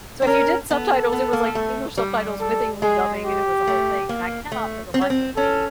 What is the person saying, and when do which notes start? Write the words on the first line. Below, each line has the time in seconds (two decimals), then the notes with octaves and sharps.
So, if you did subtitles, it was like English subtitles with English dubbing, and it was a whole thing, and I cannot for the life of me
0.22 D4
0.27 C#4 A#4
0.70 B3 A4
1.12 B3
1.33 A#3
1.55 A3
1.97 G3
2.40 A4
2.82 G#3 G#4
3.24 G4
3.67 A3
4.09 A#3
4.52 A3
4.94 C4
5.01 C#4
5.10 C4
5.36 C#4 A4